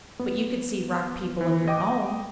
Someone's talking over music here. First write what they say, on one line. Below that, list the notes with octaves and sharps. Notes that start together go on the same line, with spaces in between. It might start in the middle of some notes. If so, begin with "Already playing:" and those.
But you could see rock people of your own.
B3
E3
D#5 G5 D6